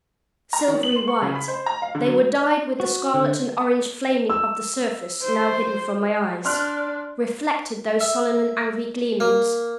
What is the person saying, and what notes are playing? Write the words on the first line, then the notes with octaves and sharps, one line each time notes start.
Silvery white, they were dyed with the scarlet and orange flaming of the surface now hidden from my eyes; reflected those sullen and angry gleamings.
A#5
D#3
F#7
C6
C#6
C#3
B5
C5
A#5
F5
D3
F#3
F#4
D3
E6
C5
D4 C6 F6 F#6
E5
A#3